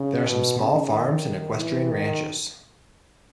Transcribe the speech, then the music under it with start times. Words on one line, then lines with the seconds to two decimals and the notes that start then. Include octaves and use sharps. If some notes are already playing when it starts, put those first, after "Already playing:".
There are some small farms and equestrian ranches.
Already playing: C#3
0.26 B2
0.60 C#3
0.92 D#3
1.58 E3
1.91 D#3